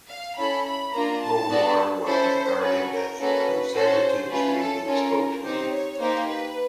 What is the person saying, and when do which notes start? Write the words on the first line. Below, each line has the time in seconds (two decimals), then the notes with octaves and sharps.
Goldwater was regarded as the conservatives' leading spokesman.
0.09 F5
0.37 C#4 E4 A4 B5
0.65 B5
0.93 A#3 D4 F4 A#5
1.22 A5
1.49 B3 D4 F#4 A4
2.05 C#4 E4 A4 C5
2.62 C#4 F#4 A4 B4
2.90 A#4
3.19 A#3 C#4 F#4 A4 B4
3.74 C#4 F#4 A4 C5
4.31 A3 C#4 F4 B4
4.60 A4
4.87 C#4 F4 A4 A#4
5.43 C4 D#4 G4 C5
5.72 C#5
6.00 A#3 D#4 G4 C5
6.28 B4